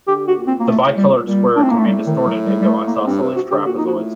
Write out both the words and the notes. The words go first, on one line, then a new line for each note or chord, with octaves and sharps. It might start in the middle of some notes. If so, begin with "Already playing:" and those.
The bicolored square can be distorted into isosceles trapezoids.
D3 G4
F#4
A#2
C4
A#3
A2 A3
A#2 G3
A#2 G3
A2 D4
C4
A#3
A3
G3
D#3
F#3
G3
G3
A3
A#3
G2 C4
C3
F#4
D3 G4
A#2 F#4
D#4
F#4
A2